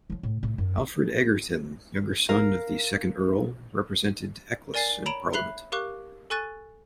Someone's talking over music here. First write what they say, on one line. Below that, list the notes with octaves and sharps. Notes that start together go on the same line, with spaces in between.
Alfred Egerton, younger son of the second Earl, represented Eccles in Parliament.
F3 F#3
A2
A2
F#2
E4
A#4 F5
A#4 D5 G#5 A6 C7
C#5 A#5 B5 D7 E7 F7
E5 B5 F#6 C7 F7 G7
G4 A#4 F5 C#6 D6 F#6
A4 G#5 C#6 F#6 A6 D#7